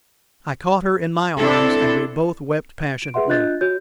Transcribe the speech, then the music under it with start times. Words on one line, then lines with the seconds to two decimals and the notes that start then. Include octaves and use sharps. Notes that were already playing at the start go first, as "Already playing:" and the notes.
I caught her in my arms, and we both wept passionately.
1.38 C4 D4 E4 A4
3.02 D7
3.14 G#4 B4 E5 F#5 C6
3.28 D4 F4 D#5 F#6 G6 A6
3.61 F#4 C#5 G6